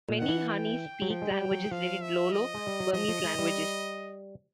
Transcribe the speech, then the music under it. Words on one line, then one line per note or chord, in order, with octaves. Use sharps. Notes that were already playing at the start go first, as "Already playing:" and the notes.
Many Hani speak languages related Lolo-Burmese languages.
A#2
D#3 F#5
E3
G5
F#3
F3 G5
G#3
G3
F#3
F3 F5
E5
D#5
G#3
G3
F#3
F3 D#5
F3
G#3
G3